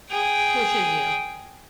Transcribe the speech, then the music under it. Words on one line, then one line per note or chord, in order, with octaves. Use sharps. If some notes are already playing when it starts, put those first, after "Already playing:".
Pushing you.
G#4 G5